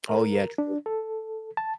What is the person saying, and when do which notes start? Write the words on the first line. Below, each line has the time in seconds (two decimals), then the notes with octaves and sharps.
Oh yeah, true,
0.09 A#4
0.58 D4
0.86 A4
1.57 A5